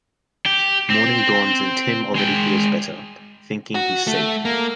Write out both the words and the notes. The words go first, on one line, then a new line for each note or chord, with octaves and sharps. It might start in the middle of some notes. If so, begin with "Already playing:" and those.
Morning dawns and Tim already feels better, thinking he's safe.
G4
C4
G#3 G5
F#4
A3
A#3